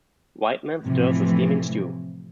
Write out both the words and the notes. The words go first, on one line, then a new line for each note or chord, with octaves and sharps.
Whiteman stirs the steaming stew.
A2 C3 E3 F3